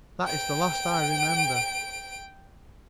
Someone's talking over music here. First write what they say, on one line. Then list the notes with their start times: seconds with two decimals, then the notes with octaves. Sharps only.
That is the last I remember.
0.25 G5 D7